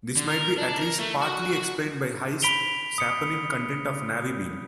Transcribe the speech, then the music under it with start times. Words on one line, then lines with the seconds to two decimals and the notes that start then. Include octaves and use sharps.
This might be at least partly explained by high saponin content of navy bean.
0.16 D3
0.30 A#4
0.58 D4
0.79 A#4
0.99 A3
1.21 F#4
1.53 F#4
2.42 B5 B6 D7 F7 G7
2.98 D#6 C#7